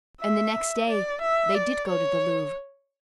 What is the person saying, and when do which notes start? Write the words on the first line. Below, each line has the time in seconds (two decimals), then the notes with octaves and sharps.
And the next day they did go to the Louvre.
0.21 E5
0.88 D5
1.22 E5
1.55 D5
1.89 C#5